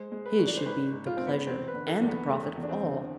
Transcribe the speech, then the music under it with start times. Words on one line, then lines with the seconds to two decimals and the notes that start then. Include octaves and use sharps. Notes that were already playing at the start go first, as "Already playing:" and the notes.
His should be the pleasure and the profit of all.
Already playing: G#3 C5
0.12 G#3
0.26 B4
0.39 G#1
0.47 D5
0.57 C5
0.66 G#1 B4
0.93 G#2
1.06 F4
1.17 G#1 C4
1.27 B3
1.47 E2 C4
1.68 B4
1.74 D3
1.88 A4
2.02 E2
2.09 B3
2.28 E1 A3
2.56 E2
2.63 D4
2.69 C4
2.83 D3